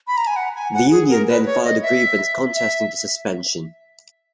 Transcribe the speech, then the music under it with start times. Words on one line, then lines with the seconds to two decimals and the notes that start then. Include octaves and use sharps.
The union then filed a grievance contesting the suspension.
0.07 B5
0.17 A#5
0.27 G#5
0.36 F#5
0.55 G#5
0.74 F#5
0.91 G#4
1.10 A#4
1.28 B4
1.46 C#5
1.64 D#5
1.82 E5
2.55 E5